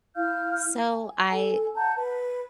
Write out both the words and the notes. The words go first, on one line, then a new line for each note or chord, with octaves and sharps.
So, I
E4 F5 F6 G6
G#5
A4 G#5
F#5 A5 A#5 G6
B4